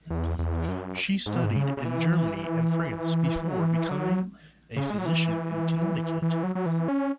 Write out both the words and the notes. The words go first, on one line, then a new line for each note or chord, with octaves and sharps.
She studied in Germany and France before becoming a physician in Connecticut.
E2
E2
F#2
G#2
B2
G#2
C#3
C#3
E3
F#3
E3
F#3
C#3
G#3
F#3
E3
E3
F#3
F#3
E3
C#4